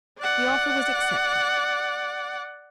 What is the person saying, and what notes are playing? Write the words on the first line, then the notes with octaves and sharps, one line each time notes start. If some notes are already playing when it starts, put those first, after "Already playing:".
The offer was accepted.
D5 F#5